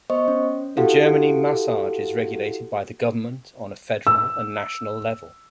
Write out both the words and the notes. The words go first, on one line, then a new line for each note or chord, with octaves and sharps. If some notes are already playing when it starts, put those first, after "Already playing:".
In Germany massage is regulated by the government on a federal and national level.
B3 C5 D#5 C#6
C#4
E4 F#4 G4 A4 F5 F#5
E6